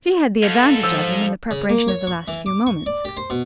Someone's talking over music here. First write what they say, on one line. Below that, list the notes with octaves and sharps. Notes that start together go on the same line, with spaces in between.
She had the advantage of him in the preparation of the last few moments.
G#2 A4 F5
F3 E6
C#3
A#3
C#5
C#6
E3
D6
C#6
D5
G4
C5
B2